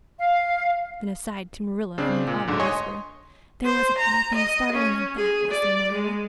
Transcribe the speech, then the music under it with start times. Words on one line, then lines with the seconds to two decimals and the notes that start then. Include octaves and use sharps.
Then aside to Marilla in an audible whisper, "There wasn't anything startling in that, was there, Marilla?"
0.19 F5
1.98 C#3 C4 D4
2.27 A#2
2.48 D2 G#2 D3
2.60 C#5 D#5 G#5 C6 C#6 D#6
3.65 C5
3.99 A#5
4.35 D#5
4.72 C#4
5.17 G#4
5.52 D5
5.92 G#3